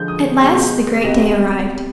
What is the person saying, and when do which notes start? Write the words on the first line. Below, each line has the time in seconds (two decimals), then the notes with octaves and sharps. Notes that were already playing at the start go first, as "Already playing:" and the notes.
At last the great day arrived.
Already playing: D3 F3 G#3 G6
0.08 D#6
0.40 B2 G#3 B3 G5
1.04 C3 G3 B3 D#5